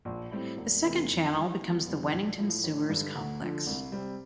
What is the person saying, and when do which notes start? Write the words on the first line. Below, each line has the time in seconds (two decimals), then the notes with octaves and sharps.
The second channel becomes the Wennington Sewers complex.
0.05 A#1
0.31 A2 G3 C4
0.57 E1
0.83 E2 C3 E3 A3
1.09 F2
1.34 E3 G3
1.60 E1
1.86 E2 C3 G3
2.12 A#1
2.38 A2 F3
2.64 A1
2.89 G2 D3
3.15 D2
3.41 D3 F3
3.67 C2
3.92 C3 G3 C4